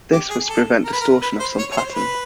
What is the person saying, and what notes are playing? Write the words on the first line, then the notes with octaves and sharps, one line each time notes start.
This was to prevent distortion of some patterns.
G4
G#4
A4
A#4
B4
A#4
B4
C5
C#5
C#5
C5
B4